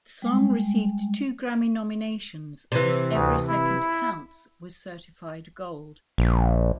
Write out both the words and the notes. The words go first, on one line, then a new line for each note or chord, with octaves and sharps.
The song received two Grammy nominations, and "Every Second Counts" was certified gold.
G3 G#3
C3 E3
D2
E4
A#1